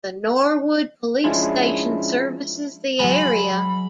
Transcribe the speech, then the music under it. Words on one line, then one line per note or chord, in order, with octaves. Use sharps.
The Norwood Police Station, services the area.
F3 G#3 C#4 D4 E4 F4
F#3 G#3 B5